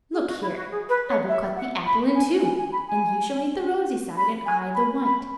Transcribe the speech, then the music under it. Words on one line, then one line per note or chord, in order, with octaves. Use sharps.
"Look here; I will cut the apple in two, and you shall eat the rosy side, and I the white."
G#4
F#4
E4
F#4
G#4
B4
C#5
E5
F#5
B5
G#5
G#5
G#5
B5
G#5
B5
G#5
B5
B5